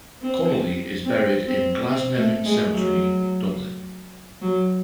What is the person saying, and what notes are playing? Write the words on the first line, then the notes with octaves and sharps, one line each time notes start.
Connolly is buried in Glasnevin Cemetery, Dublin.
C4
C4
C4
C4
A3
G#3
F#3
F#3